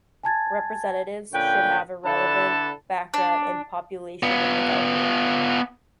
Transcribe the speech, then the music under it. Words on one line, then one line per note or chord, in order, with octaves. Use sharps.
Representatives should have a relevant background in population and development.
G#5 A5 G#6 A6
A#2 D3 C#4 B4 G5
D3 D4 E4 A4 B4 A5
D4
B3 F4